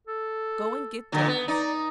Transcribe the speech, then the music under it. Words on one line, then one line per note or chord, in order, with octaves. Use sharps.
Go and get dinner.
A4
A#2 D3
B3
D#4 D5